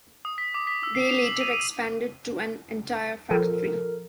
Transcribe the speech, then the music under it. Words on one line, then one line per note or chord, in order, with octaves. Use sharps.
They later expanded to an entire factory.
D#6
B6
D6
B6
E6
C7
F7
F#7
D#7
D#7
F3 A4 A#4